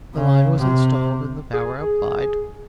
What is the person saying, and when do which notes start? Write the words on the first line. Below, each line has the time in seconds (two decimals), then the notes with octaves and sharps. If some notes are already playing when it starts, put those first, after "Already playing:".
The line was installed and the power applied.
0.14 C#3
0.57 C3
1.53 G#4